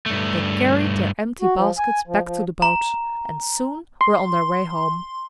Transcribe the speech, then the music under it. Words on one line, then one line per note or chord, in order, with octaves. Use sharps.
They carried their empty baskets back to the boat, and soon were on their way home.
G2 A3
F#4
F3
G#5
F3
F3
A#5
C6